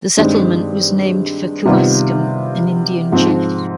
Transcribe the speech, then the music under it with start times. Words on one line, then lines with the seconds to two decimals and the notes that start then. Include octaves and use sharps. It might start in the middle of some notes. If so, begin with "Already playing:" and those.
The settlement was named for Kewaskum, an Indian chief.
0.17 G2 D#3 G#3 C4 G4
1.65 C3 D#3 G3 B3 F4
3.12 G#2 F3 C4